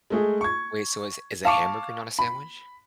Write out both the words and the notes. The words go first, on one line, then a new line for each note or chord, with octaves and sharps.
Wait, so is is a hamburger not a sandwich?
G#3 A3 G#4
C#6 G#6
F5 A5 C#6 D6
B5